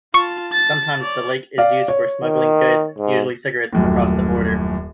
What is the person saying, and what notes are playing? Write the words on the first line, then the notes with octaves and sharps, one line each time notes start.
Sometimes the lake is used for smuggling goods, usually cigarettes, across the border.
F4 A5 C#6
A5 A6
C#5 D5
D5 F5
C#5
D#3
G#2
D#1 F#2 A2